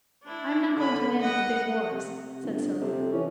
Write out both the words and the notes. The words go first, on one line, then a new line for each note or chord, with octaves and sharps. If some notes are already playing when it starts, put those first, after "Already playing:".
"I am not going to land at the big wharves," said Sylvia.
D4 E4
D3 B5
D#5 F#5
C3
G1
F2 C3
E3 C#4